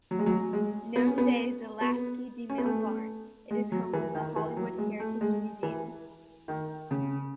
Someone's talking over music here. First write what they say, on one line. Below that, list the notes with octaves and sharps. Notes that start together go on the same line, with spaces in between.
Known today as the Lasky-DeMille Barn, it is home to the Hollywood Heritage Museum.
F#3
G#3
F#3
G#3
B3
C#4
B3
B3
C#4
B3
A3
G#3
F#3
E3
D#3
E3
F#3
G#3
A3
G#3
E3
D#3
C#3